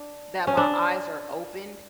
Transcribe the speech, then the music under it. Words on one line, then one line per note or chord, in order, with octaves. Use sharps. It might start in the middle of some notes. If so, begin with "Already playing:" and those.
that my eyes are opened,
Already playing: D4
C#4
D4